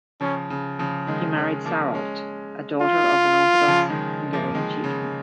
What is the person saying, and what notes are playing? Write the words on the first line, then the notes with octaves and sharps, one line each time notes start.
He married Sarolt, a daughter of an Orthodox Hungarian chieftain.
C#3 F3 C#4
C#3
C#3 F3
D#3 G#3
G#3 C#4
F3 A#3
G#3 C#4
F4
C#3 F3
D#3 G#3
F3 A#3
D#3 G#3
C#3